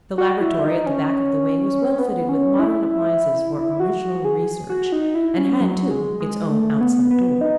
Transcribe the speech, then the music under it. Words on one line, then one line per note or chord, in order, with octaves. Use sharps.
The laboratory, at the back of the wing, was well fitted with modern appliances for original research, and had, too, its own outside door.
F#4
E4
D#4
C#4
B3
C#4
E4
F#4
G#4
F#4
D#4
E4
C#4
F#3
G#3
G#3
A3
B3
B3
D#4